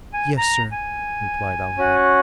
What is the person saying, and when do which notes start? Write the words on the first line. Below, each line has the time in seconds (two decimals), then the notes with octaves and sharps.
'Yes, sir,' replied Oliver.
0.13 G#5
0.38 A#5
0.72 G#5
1.78 C#4 F#4